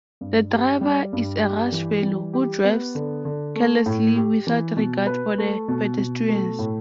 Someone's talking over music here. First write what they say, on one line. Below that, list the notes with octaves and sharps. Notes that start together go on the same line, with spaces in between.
The driver is a rash fellow, who drives carelessly without regard for the pedestrians.
G2
G4
G3
G2
G4
E3
G3
G4
B3
D3
D3
A3
A2
G4
E3
B2
B4
A3
B2
B2
A3
A2